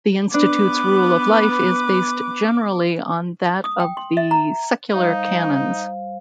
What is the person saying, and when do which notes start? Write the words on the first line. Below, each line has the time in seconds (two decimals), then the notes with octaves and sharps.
The institute's rule of life is based generally on that of the secular canons.
0.34 B3 D4 B4 D6
3.64 D#6
3.80 G5
3.97 C6
4.17 E5
4.31 A#5
4.94 G3 D#4 C5 F5